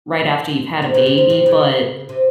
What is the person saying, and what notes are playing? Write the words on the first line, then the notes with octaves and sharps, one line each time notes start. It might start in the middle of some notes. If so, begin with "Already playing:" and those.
right after you've had a baby. But,
A#2
C3
C#3
C3
C#3
C3
C#3
C3